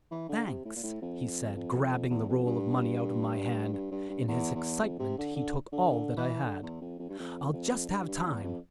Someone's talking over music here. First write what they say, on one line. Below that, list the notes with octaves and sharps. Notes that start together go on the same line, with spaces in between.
"Thanks," he said grabbing the roll of money out of my hand,--in his excitement he took all that I had.--"I'll just have time."
E3
D3
C3
A2
A#2
A2
F2
F2
E2
F2
G2
G2
G2
G2
E2
E2
F2
C3
D3
D3
D3
D3
E3
D3
E2
F2
F2
G2
F2
F2
F2
G2
G2
E2
F2